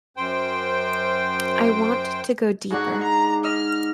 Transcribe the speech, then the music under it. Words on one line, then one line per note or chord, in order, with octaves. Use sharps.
I want to go deeper.
F#2 C5 G5
G#2 D4 F#4
A#5
D#5 F6